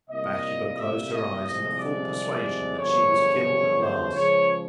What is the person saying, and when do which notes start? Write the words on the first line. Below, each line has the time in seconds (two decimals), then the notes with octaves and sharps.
Bathsheba closed her eyes in the full persuasion that she was killed at last.
0.10 C2 A#2 G3 A#3 D#5
0.78 E5
1.11 D#5
1.45 C2 C3 F3 G#3 D#5
1.78 D5
2.79 G1 F#2 C#3 F3 C#5
3.79 C5
4.13 C#2 C#3 F3 C#5